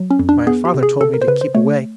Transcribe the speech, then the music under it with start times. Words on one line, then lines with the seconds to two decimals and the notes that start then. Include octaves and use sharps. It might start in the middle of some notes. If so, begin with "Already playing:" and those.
My father told me to keep away.
Already playing: F#3
0.10 C#4
0.19 F2
0.29 D4
0.47 B3 G#4
0.65 G4
0.74 C3
0.83 G#4
1.01 C#3 A4
1.14 A#4
1.22 C5
1.28 C#3 B4
1.41 C5
1.55 A3 C#5